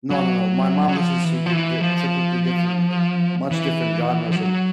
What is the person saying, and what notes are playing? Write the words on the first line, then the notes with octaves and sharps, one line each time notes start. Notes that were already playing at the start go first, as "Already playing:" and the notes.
No, no, no. My mom listens to the the typically different, th much different genres, and
F#3
F#3
F3
E3
F3
E3
F3
E3
F3
F#3